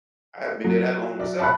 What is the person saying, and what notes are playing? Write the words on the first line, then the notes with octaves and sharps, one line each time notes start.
I haven't been here that long myself,"
F#3
D5
A5 B5 F#6